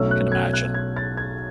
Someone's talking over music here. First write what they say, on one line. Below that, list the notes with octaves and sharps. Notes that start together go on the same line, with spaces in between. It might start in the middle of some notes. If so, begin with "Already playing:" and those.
Can imagine.
Already playing: B1 B2 F#3 A3 C#4 E6
F#6
G#6
F#6
G#6
A6
G#6